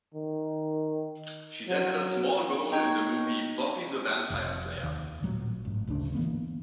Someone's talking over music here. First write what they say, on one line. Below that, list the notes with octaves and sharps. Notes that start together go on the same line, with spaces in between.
She then had a small role in the movie "Buffy the Vampire Slayer".
D#3
F#3
D#4 C#5 G5
F1 C2
D#2
A1 A#2 F#3
A1 G#2
G1 D2 C#3 D4
E3 A#3 B3